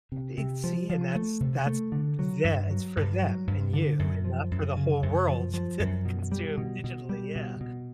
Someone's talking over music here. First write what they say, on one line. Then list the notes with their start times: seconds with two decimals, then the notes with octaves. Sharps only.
It's see, and that's that's tha it's for them, and you, and not for the whole world to consume digitally, yeah.
0.12 C3
0.38 C3
0.64 F3
0.90 F3
1.16 A3
1.40 C3
1.66 A3
1.92 D3
2.19 F#3
2.44 G2
2.71 F#3
2.97 G2
3.22 F#3
3.47 G2
3.73 D3
3.99 F#2
4.25 F3
4.51 F#2
4.77 C#3
5.03 F#2
5.28 F3
5.54 F3
5.80 F#2
6.05 B2
6.32 G3
6.58 B2
6.84 B2
7.09 G3
7.36 B2
7.61 B2